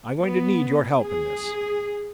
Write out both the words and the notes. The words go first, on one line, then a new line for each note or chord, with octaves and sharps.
I'm going to need your help in this.
B3
G#4